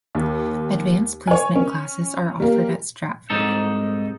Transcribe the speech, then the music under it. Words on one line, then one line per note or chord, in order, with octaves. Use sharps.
Advanced Placement classes are offered at Stratford.
D#2
C#5 G#5
C#4
G3 A#3
C2 G#2 D#4 A4